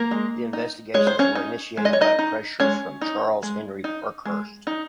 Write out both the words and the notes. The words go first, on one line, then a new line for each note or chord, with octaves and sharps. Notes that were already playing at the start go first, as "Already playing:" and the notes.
The investigations were initiated by pressure from Charles Henry Parkhurst.
Already playing: A#3 A#4
G#3
D#4
G#3 C#5
C5
C#4 C#5
D#4
G#3
D#5
C#5
D#4 D#5
D#4
G#3 C#4 C#5
D#4
G#3
D#4
G#3
D#4